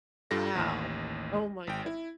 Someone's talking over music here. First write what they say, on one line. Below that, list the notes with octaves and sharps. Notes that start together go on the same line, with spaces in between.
Wow. Oh my good
G2 F4 G4 A4 A#6
A1 D#2
G#1 G5
E4